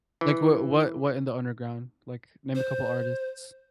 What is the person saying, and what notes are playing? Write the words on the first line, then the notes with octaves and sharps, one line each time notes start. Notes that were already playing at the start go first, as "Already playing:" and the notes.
Like, what what what in the underground? Like, name a couple artists.
E3
C5